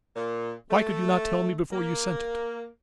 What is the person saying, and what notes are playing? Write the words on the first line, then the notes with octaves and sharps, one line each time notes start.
Why could you not tell me before you sent it?
A#2
A3
A#3